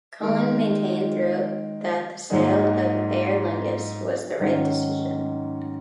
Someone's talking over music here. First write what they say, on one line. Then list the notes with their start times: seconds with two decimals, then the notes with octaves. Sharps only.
Cullen maintained throughout that the sale of Aer Lingus was "the right decision".
0.20 D#3 G#3 D#4 A#4
2.30 G#2 F#3 A#3 D#4 G#4
4.39 G#2 D#3 F#3 C#4